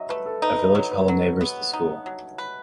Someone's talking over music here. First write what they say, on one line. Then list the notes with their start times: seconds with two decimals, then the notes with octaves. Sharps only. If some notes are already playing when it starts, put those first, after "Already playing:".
A village hall neighbours the school.
Already playing: F#3 D#5 E5
0.09 A3 B4
0.26 A4
0.42 D#4 B4
0.59 B4
0.75 F#3 C#5
0.91 B4
1.08 F#3
1.41 B3
1.73 D#4
2.06 F#3
2.38 B4